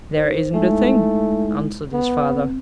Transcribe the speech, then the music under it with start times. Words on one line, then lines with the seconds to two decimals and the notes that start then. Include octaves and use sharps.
"There isn't a thing," answered his father.
0.15 D#4 C5
0.54 G#3 A3 D#4 E4
1.93 B3
2.26 C4